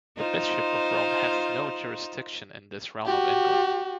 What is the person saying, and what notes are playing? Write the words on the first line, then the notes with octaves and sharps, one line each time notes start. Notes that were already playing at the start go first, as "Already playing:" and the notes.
The Bishop of Rome hath no jurisdiction in this Realm of England.
D#4 F4 C5
F#4 G4